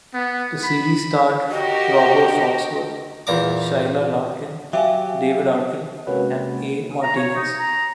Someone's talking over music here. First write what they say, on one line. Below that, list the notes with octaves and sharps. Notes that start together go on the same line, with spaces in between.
The series starred Robert Foxworth, Sheila Larken, David Arkin, and A Martinez.
B3
B5
F#4 G4 A#4 D#5
E2 A#2 A#5 D6
F#3 G4 E5 F5 G#5
C3 G#3 A#3 C#4 F#4 B4
A#5
C#5
D#4
A#5